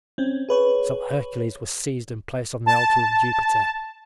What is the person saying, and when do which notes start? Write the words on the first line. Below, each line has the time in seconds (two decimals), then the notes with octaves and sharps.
So Hercules was seized and placed on the altar of Jupiter.
0.18 C4 C#4
0.49 G#4 B4 C#5
2.66 A5